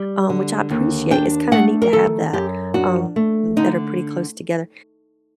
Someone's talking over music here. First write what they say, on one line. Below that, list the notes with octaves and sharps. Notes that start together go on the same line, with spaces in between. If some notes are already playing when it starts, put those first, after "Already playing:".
um, which I appreciate, it's kinda neat to have that, um, that are pretty close together,
Already playing: G3
D3
D#2
D4 G5
A3 F#5
A#4
D#3 A4
F#2 G4
D4 F#4
A3
D3 D#4